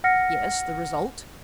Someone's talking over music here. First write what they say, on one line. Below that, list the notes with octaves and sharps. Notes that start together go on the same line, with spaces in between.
"Yes, the result?"
F#5 F6 A#6 C#7